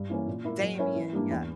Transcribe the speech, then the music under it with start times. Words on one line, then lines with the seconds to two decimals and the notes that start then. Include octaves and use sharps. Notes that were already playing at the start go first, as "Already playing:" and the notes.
Damien. Yep.
Already playing: G2
0.09 E3 A#3 C#4
0.27 A#2
0.45 A#3 E4 A#4
0.62 F#3
0.79 C#4 E4 A#4 C#5
0.96 E3
1.13 G3 A#3 D4
1.30 E2